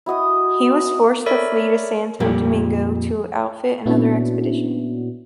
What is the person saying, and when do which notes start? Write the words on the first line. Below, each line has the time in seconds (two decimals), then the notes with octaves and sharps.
He was forced to flee to Santo Domingo to outfit another expedition.
0.06 E4 F#4 D#5 D#6
1.26 A4 A#4 C#5 D5 E5 B5
2.20 F2 A#2 G3
3.86 A#2 B3 C#4 D4 E4 F#4